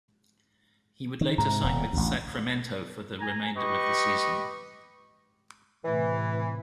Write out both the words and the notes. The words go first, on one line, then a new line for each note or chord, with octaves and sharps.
He would later sign with Sacramento for the remainder of the season.
D#3
G#2 C3 A#5
D#1
A1 D2
G#5 A#5
G4 B4 D#5 C#6
A2 C3 E3